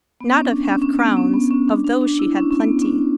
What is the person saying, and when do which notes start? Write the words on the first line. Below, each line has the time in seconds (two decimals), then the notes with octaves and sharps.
Not of half-crowns; of those she had plenty.
0.20 B3
0.30 C#4
0.48 D4
0.65 C#4
0.82 C#4
0.99 B3
1.17 C#4
1.34 B3
1.51 C#4
1.68 D4
1.84 D4
2.01 D4
2.19 E4
2.36 C#4
2.51 C#4
2.60 B3
2.77 D4
2.82 C#4